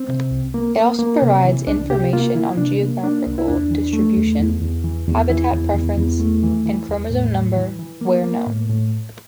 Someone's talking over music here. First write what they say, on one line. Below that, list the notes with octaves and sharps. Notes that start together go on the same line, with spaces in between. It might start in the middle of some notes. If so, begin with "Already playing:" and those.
It also provides information on geographical distribution, habitat preference, and chromosome number, where known.
Already playing: C4
C3
C2
A#3
A#3
A#3
C3
E3
C2 D4
C3 G4
A#3 F4
E3 E4
C3 D4
A#3
A#3 D4
C2
E4
E2 D4
E3
A3
E2
E2
E2
E3
E2
E3 E4
E2
E2
E2
A3
E3
E3
E2
A2
A2
E3
E3
A#3
A#3
A2
A2